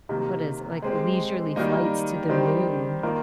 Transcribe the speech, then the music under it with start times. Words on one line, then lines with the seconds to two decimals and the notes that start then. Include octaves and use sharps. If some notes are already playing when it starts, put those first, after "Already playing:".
what is like, leisurely flights to the Moon
0.09 C3 D#3 A#3
0.82 G#3 C4 G4
1.56 D#3 G3 A#3 D#4
2.30 D#3 G3 C4 G4
3.03 D#3 A#3 F4 A#4